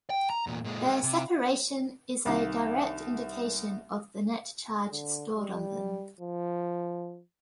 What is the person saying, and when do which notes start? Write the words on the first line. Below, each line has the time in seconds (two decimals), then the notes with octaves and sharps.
Their separation is a direct indication of the net charge stored on them.
0.10 G5
0.30 A#5
0.47 E2 A#2
0.64 A#2 G#3
0.86 G#3 C4
1.03 C3
2.26 C2 D#3
4.91 D3
5.37 G3
6.20 F3